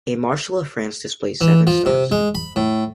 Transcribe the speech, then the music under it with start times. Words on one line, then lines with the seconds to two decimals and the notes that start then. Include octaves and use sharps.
A Marshal of France displays seven stars.
1.41 E3
1.67 F3
1.86 C3
2.12 G#3
2.35 B5
2.56 A2